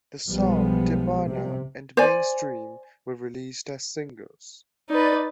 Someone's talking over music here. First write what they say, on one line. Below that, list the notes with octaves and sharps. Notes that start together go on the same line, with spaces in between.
The songs "Djapana" and "Mainstream" were released as singles.
B1 F3 G3 G#3 B3
C3
C5 D5 G#5
D#4 B4 D5 A6